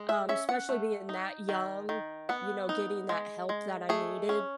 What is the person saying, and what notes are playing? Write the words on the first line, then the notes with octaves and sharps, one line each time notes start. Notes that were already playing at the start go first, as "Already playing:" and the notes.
um, especially being that young, you know, getting that help that I needed.
Already playing: G#3
E5
C#4 E5
F#5
A3
D#4
D#3
D#3
B3 F#5
D#4
G#3
G#3
A3 G#4
C#4